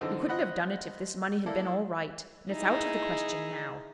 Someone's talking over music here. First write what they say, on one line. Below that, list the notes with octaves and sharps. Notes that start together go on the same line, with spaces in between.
You couldn't have done it if this money had been all right, and it's out of the question now.
D3 E3 F3 C4 D#4
C4 D#5 F#5 B5
A#3 E4 A4 D5
D#4 E4 G#4